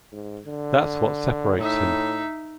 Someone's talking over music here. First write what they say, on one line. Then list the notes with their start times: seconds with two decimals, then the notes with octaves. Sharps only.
That's what separates him.
0.12 G#2
0.46 D3
1.58 A2 D#4 E5